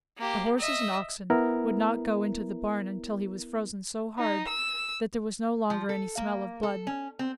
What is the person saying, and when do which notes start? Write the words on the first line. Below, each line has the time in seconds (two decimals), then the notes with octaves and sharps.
The horses and oxen would not go into the barn until he was frozen so hard that there was no longer any smell of blood.
0.18 A#3 G4
0.58 D#5 E5
1.30 B3 E4 A#4
4.19 D#4
4.48 E6
5.70 F3
5.89 A4
6.17 A#3
6.63 A4
6.87 C#4
7.19 C4